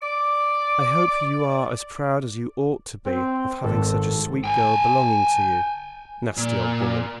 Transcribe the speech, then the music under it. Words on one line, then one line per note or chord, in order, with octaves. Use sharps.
"I hope you are as proud as you ought to be of having such a sweet girl belonging to you." Nasty old woman!
D5 D6
C4
G#1 A4
G5 G#5
A#2